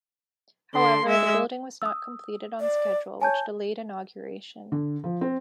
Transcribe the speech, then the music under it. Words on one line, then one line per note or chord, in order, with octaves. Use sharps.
However, the building was not completed on schedule which delayed inauguration.
D3 C6
G#3 E5
D#6 E6
D5
C#5 G#5 A5 G6
D3
F3
C4